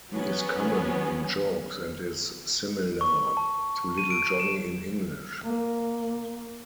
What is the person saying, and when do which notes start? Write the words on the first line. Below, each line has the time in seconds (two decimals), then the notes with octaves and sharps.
He is common in jokes and is similar to Little Johnny in English.
0.12 E3 F#3 B3 C#4
3.01 C#6
3.37 A5
3.98 D#7
4.10 D7
4.40 E7
5.44 A#3